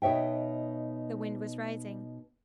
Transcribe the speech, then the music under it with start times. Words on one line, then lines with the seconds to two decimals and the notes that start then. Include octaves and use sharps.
The wind was rising.
0.02 B2 D#4 C#5 E5 G5